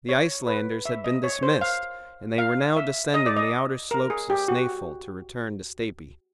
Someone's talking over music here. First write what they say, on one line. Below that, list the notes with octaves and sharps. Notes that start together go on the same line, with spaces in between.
The Icelanders had been dismissed, and they were now descending the outer slopes of Snaefell to return to Stapi.
C#5
B4
E5
D#5
C#5
C5
F5
F5
E5
D#5
D5
D#5
A#4
G#4
G4
F#4